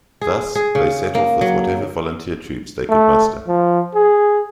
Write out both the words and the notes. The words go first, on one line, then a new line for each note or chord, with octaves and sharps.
Thus, they set off with whatever volunteer troops they could muster.
G#4
G#4
C#3
A#3
F#3
A3
F3
G#4